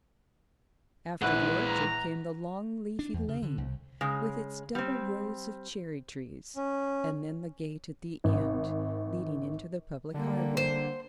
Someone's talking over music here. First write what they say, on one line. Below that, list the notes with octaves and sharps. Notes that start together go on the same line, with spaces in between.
After the orchard came the long leafy lane, with its double rows of cherry-trees, and then the gate at the end, leading into the public highway.
A#1 E3 G#3 B4 F#5 F#6
A#5
D4
E2
C#3
D3
C2
C#3 G#3
G3 C4
C#4
G#1
D3 G3 A#3
C5